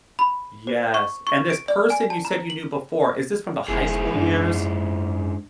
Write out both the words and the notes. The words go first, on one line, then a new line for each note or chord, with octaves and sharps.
Yes, and this person you said you knew before, is this from the high school years?
B5
C5
C#6
C#6
D7
D5
G#5
A5
A#5
F#7
F1 G#2 E4 G#4
F#2 D4